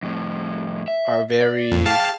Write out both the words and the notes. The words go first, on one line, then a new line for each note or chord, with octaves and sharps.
are very
F2 A2
E5
D5
F2
G#4 F5 G5 A5